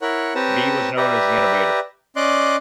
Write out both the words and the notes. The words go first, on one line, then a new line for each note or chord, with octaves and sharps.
Bee was known as the "Innovator".
E4 A#4 C#5 F#5
C4 G4 B4 C#5 A5 A#5
G4 B4 D5 E5 A#5
C#4 D5 D#5 C6 D6 F#6